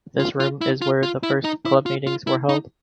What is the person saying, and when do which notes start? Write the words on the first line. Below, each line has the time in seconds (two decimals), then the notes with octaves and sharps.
This room is where the first club meetings were held.
0.19 F4
0.40 F4
0.61 E4
0.82 F4
1.03 F4
1.23 E4
1.44 D#4
1.65 E4
1.86 F4
2.07 F4
2.27 E4
2.49 D#4